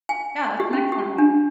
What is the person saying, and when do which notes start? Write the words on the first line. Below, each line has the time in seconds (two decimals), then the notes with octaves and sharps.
Yeah, that's an excellent way.
0.09 G#5
0.60 G4
0.73 C#4
0.92 G4
1.18 D4